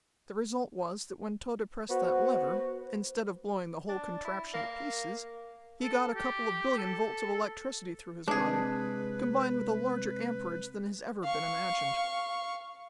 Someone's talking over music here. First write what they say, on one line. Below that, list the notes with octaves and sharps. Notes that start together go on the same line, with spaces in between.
The result was that when Tode pressed that lever, instead of blowing the whole contraption to pieces, he got a couple of billion volts of electricity through his body, combined with a larger amperage than has ever been imagined.
B3 F#4 C5
D4
E4
A#3
A4
G4
A4
C3 G#3 D4 G#4 B4
F5 C#6